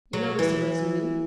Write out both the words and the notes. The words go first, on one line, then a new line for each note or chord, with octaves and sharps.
You know Mr. Razumihin?
F#3
E3